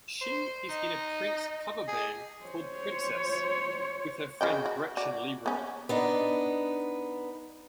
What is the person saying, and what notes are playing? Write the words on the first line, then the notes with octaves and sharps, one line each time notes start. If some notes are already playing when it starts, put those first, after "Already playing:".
She is in a Prince cover band called Princess with her friend Gretchen Lieberum.
C5
D#4 D#5
G#4
C5 C#5
C#3 D#5 G5
F#4
F#4 D5
B3 C#4
B3 D4 D#4